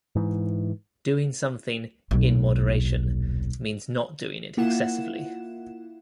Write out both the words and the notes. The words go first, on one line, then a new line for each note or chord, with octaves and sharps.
Doing something "in moderation" means not doing it excessively.
G#2 E3
D#1 B1
A#3 E4 F4 F#5 E7